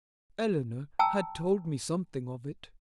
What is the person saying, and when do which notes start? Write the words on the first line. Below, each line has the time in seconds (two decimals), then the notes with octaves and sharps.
"Eleanor had told me something of it."
0.99 G5 A5 A#5 E6